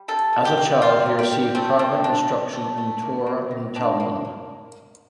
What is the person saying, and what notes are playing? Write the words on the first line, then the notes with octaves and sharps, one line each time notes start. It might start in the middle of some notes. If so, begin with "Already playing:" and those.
As a child he received private instruction in Torah and Talmud.
Already playing: G3
C3 A4
G3
G4
A#3
C3 F4
C3
G4
G3
A3 C4
A3 C4
D#3 D4
D#3
A3
A3
A#3
A#3
D#3
D#3 D4
A#3
A#3